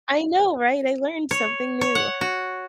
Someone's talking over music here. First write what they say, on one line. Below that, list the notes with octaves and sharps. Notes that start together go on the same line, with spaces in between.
I know, right? I learned something new.
C#5
C#5
F#5
F#4